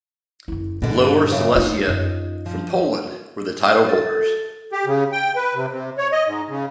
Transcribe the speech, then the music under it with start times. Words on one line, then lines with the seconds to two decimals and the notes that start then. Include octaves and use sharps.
Lower Silesia from Poland were the title holders.
0.48 F#1 E4
0.82 G2 B2 D3
1.32 F#2 C#3
1.55 A3 D4 D#4 F4
1.88 F#2
2.46 F3
3.89 A4
4.72 G4
4.86 C#3
5.12 G5
5.36 B4
5.54 C3
5.71 C3
5.98 C#5
6.12 D#5
6.26 G#2
6.49 C#3